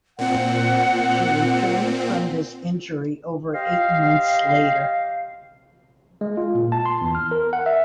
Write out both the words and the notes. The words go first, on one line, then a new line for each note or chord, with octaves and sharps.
She returned from this injury over eight months later.
A#2 C4 F#5
G4 C5 D#5 F5
G#3
F4
A#2
A5
C6
E2
F6
A#4
F#5
E5